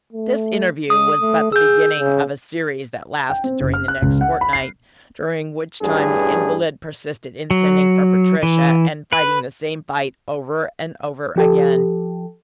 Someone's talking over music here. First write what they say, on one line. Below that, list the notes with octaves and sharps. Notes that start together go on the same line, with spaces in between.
This interview was but the beginning of a series that lasted during the next fortnight, during which time the invalid persisted in sending for Patricia and fighting the same fight over and over again.
A3
G#3 D#6
A3
G#4 E6 G6
C#3
G5
C4
F#1
F6
F#6
C#2
F#5
B5
C7
A1 G2 G#4
F#3
E3
B4
F3 G4 A4